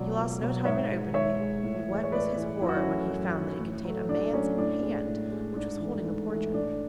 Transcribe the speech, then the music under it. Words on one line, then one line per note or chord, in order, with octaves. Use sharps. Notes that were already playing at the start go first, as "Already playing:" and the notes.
He lost no time in opening it, but what was his horror when he found that it contained a man's hand, which was holding a portrait.
Already playing: C#2 B2 F#3 D5
C#2
B2 F#3
G#2 C#5 E5
G#3
G#2 C#5 E5
G#3
A2
E3 G#3
C#5
A2 B4 D5
E3 G#3
F#2 E4
F#4
C#4 E4
E3 A3
F#2
E3 A3
A2
F#3 A3
A2 D4
F#3 A3 C#4
A2 D4
G#3
A2
G#3
G#2 D4
E3 A3
G#2
E3 A3
A2 D4